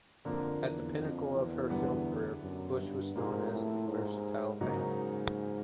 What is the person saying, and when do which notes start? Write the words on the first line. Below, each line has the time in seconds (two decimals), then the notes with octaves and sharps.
At the pinnacle of her film career, Busch was known as the "versatile vamp".
0.25 F2 D3 F3 A#3
0.61 E2
0.98 F2
1.34 E2
1.70 F#2 D3 G3 B3
2.42 F#2
2.79 G2
3.15 G#2 C3 F3 A#3
3.52 A2
3.88 G#2
4.61 G#2 C#3 F#3 A#3 D#4 F#4